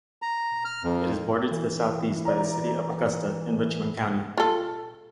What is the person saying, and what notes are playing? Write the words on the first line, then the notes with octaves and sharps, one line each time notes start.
It is bordered to the southeast by the city of Augusta in Richmond County.
A#5
F6
F2
E3
D5 A#5
F4 A4